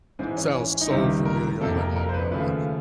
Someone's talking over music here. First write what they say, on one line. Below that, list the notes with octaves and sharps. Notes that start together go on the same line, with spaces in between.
sounds so familiar. I'm, like, "My god,
G#2 E3 G#3 C4
C#4
C#4
D#4
C#2 C3 D#3 G3 E4
A#4
F2 C3 F3 A#3 A4
A#4
A#4
C5
B4
D#2 C#3 F3 A3 B4